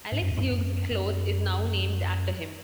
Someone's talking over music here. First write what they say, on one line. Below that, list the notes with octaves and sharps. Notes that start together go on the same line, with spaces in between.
Alex Hughes Close is now named after him.
G#2
F#2
E2
G#2
F#2
F#2
F#2